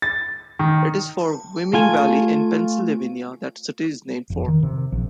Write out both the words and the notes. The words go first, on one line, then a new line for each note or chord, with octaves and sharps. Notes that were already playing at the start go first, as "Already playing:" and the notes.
It is for the Wyoming Valley in Pennsylvania that the city is named.
A6
D#3
A3 F4 G#5
F1
D#3
C3
A#1